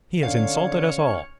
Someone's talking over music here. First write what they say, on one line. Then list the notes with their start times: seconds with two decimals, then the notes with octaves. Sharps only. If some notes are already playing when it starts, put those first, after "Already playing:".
He has insulted us all.
0.23 D3 C#4 C#5 F5